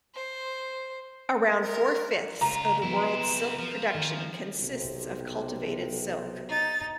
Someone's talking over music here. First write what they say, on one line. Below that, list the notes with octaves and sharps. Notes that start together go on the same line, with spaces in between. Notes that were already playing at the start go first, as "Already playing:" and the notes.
Around four-fifths of the world's silk production consists of cultivated silk.
C5
A#4
C#2 F4 A#5
F#3 B3 C4 E4
F3
D#3
B1 C3
D#4 A6